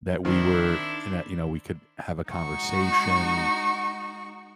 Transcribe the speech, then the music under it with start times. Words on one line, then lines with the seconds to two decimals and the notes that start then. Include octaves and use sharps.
that we were in that, you know, we could have a conversation.
0.25 D#3 C4 D4 E4 C6
2.28 G#3 D#4 F#4 C#6